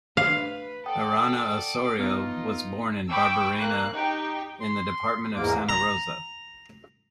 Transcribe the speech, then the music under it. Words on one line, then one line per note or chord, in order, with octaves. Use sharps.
Arana Osorio was born in Barberena, in the department of Santa Rosa.
B4 F5
A4 D5 F#5 G5 D#6
B3 D#4 F4 F6
G5 B5 C#6 D6 E6
A#3 F#6
D#4 G4 G5
C6
E2 G#2 A#3 D6
A#5